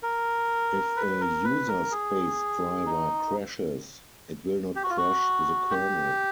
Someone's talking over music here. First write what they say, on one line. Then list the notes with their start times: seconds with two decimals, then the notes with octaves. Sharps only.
If a user-space driver crashes, it will not crash the kernel.
0.03 A#4
0.97 B4
1.21 A#4
1.44 B4
1.68 A#4
1.92 G#4
2.86 D#4
4.76 G4
4.83 F#4
4.90 F4
4.97 F#4
5.71 G4